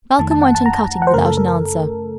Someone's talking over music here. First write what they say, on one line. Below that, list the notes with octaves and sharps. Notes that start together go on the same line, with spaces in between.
Malcolm went on cutting, without an answer.
F2 D#3 A3 A5
A5
F#5
A5
A#5
A#5
F#5
C5
F#2 C#3 A3 A#4
A4
A#4
A#4